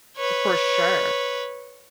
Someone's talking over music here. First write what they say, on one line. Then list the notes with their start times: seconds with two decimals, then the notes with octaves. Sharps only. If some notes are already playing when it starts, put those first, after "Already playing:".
For sure.
0.17 B4 C#5